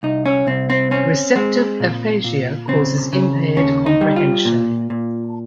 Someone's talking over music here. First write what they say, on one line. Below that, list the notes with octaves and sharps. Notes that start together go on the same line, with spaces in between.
Receptive aphasia causes impaired comprehension.
C2 D#4
C#4
C2 C4
C4
C4 C#4
G#3 C4
A#2
A#2
C#3 C4
C#3
D#2 C#4
D#4
G3
F4
A#2
A#2